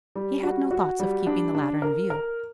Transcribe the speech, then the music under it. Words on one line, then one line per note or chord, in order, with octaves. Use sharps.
He had no thoughts of keeping the latter in view.
G3
F#4
F#4
G3
D4
D4
A#4
A#4